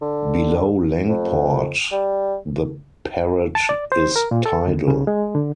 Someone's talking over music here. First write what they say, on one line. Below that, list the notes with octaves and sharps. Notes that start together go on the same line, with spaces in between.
Below Langport the Parrett is tidal.
D3
F2
G3
A5
D5
C5
A#4
A#2
A4
D2
C#3
G#3
D3